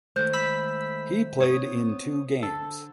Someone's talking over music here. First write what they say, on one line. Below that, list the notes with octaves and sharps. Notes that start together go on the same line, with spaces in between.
He played in two games.
D#3 G#3 A3 C5 G6
B5 E6 B6
B3 C4 C#5 D#6
D3 A4